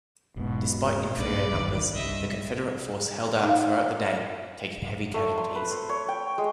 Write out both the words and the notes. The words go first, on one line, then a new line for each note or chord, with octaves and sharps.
Despite inferior numbers, the Confederate force held out throughout the day, taking heavy casualties.
E1 G#2 B2
B1 G2 A#2 D4 B4 D5
G#1 E2 D#3
C2 G2 D#5 E5
D#4 F5
A3
C6
B4
C5
C#5
G5
G#3